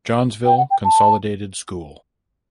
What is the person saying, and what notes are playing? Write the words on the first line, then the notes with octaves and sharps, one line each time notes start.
Johnsville Consolidated School.
G5
F#5
G5
A5